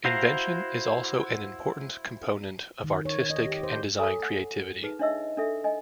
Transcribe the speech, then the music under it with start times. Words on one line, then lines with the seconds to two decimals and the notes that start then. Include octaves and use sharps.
Invention is also an important component of artistic and design creativity.
0.05 E4 F#4 C5 F5 A#5
2.84 D#3
3.05 C#5
3.30 D#5
3.46 G4
3.63 C5
3.99 A4 C#5 G#5 A#5 D6 D#6
4.23 F#5
4.83 D#4 G#4 B4
4.99 D4 D#4 C#5 D#5 E5 E6
5.37 D4 A4 E5
5.64 D4 D#5 G#5